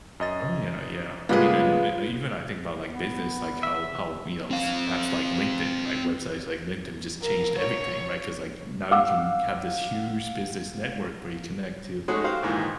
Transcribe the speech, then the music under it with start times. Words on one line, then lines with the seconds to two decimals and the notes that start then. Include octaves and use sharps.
Oh, yeah, yeah. I mean, and uh, even I think about, like, business, like how how, you know, s apps like LinkedIn, right? Websites like LinkedIn just changed everything, right, 'cause, like, now you can have this huge business network where you connect to,
0.20 F#2 D#5 A6
1.29 C#3 G3 G#3 A#3 B3 F4 B4
2.92 B3
3.63 E5
4.51 C4 F5
7.24 A#4
7.59 C#5
8.91 F5 F#5 D6 E6
12.08 G#3 A3 C#4 D#4 F#4 G#4
12.24 F#4 G4 C5 F5
12.43 A#1 G#2 D#3 E3